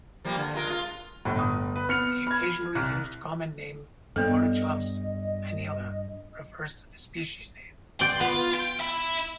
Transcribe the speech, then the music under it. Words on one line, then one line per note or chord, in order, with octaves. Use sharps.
The occasionally used common name Gorochov’s Haaniella refers to the species name.
F3 G3 A#3
D3
G#3 F4 A#4
F4
G1 A2
D#6
B4
B3 F6 C#7 F7
B5 F6 G#6
C2 F6 F#6
G2 G3 B3 A4 D#5
D5 G5 C6
B3 F4
G5
E5 B5